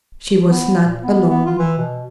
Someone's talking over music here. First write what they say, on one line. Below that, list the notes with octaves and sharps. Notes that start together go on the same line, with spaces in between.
She was not alone.
B3
A#2
B3
B3
F4
E3
B2